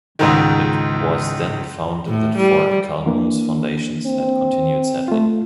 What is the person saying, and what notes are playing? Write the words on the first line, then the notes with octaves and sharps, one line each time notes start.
It was then found that Fort Calhoun's foundations had continued settling.
C#2 G#2 D#3
A2
G3
E3 A#3 D4
C4
A3 F4